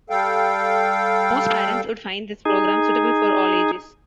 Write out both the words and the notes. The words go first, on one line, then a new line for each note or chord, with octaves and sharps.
Most parents would find this program suitable for all ages.
G3 A4 F5 G5
D#4 G#4